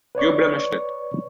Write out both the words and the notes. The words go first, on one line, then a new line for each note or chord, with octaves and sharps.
You blemished it.
B4 C#5 D5 C#6